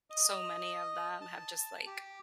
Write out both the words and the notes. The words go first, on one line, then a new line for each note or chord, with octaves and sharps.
so many of them have just, like
D#5
A5
G4